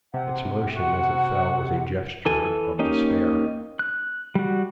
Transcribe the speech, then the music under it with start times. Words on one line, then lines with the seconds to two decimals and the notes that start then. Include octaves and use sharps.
Its motion as it fell was a gesture of despair.
0.14 C3 F#5
0.77 F#4 F#5
2.26 E3 A4 G#5
2.79 A#3 C#4 D#4 G4
3.79 F#6
4.35 G3 F#4